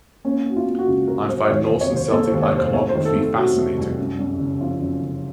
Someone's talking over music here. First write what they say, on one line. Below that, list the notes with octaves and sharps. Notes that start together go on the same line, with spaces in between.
I find Norse and Celtic iconography fascinating.
A#3 C#4
A#3 F#4
F4
A#3
F#4
C#2 F4
C3 A#4
F#3 C5
D#2 C#5
C5
F1
C#5
D#2
C5
A#3 A4
C5
D#2
C#5
F1
C5
A3 C#5
C5
D#3
A4
A3
A4
C3 F#4
A3
C2
F#2
F#2
F#1
F3 F4
F#1
F#1